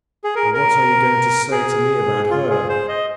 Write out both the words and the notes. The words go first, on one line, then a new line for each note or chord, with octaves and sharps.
"And what are you going to say to me about her?"
G#4
A#4
A#4
G#4
F4
G#4
C5
D#5